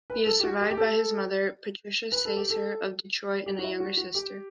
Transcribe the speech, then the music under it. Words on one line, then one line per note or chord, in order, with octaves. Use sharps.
He is survived by his mother, Patricia Sasser of Detroit, and a younger sister.
B4
A4
G4
F#4
G4
G4
A4
B4
A4
G4
A4
G4
F#4
E4
F#4
F#4
G4